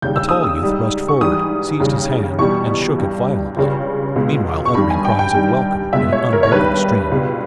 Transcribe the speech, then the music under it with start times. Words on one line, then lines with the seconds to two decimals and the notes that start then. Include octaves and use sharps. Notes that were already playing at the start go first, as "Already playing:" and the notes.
A tall youth rushed forward, seized his hand and shook it violently, meanwhile uttering cries of welcome in an unbroken stream.
0.02 D#2 C#3 G3 G6
0.16 E6
0.29 D#6
0.43 E6
0.62 G#2 G3
1.08 C#6
1.21 G#2 E3 G3 D#6
1.80 D#2 C#3 G3
2.39 E2 B2 G3 C#6
2.98 G2 G3
3.56 C#2 C#3 G3
4.16 C#2 B2 G#3
4.65 C#6
4.74 G2 D#3 G3 B5
4.90 G#5
5.05 G5
5.19 G5
5.34 G2 D#3 G3
5.93 C#2 B2 G#3 E5
6.12 C#5
6.33 A#4
6.43 C#5
6.52 G2 D#3 G3 B4
7.11 C#2 B2 G3